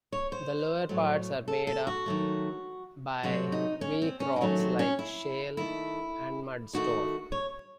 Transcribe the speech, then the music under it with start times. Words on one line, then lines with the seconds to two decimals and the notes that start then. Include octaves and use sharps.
The lower parts are made up by weak rocks like shale and mudstone.
0.12 C#5
0.32 C5
0.89 A2 F#3 A3
1.48 A4
1.67 A4
1.87 F#4
2.06 D#3 F#3 A3
3.23 C3 F#3 A3 F#4
3.52 D#4
3.81 C#4
4.02 C4
4.20 C#4
4.36 D#4
4.41 D#3 F#3 A3 C#4
4.59 C4
4.79 C#4
4.99 E4
5.57 D#3 A3 E4
6.73 D#3 A3 F#4
7.32 C#5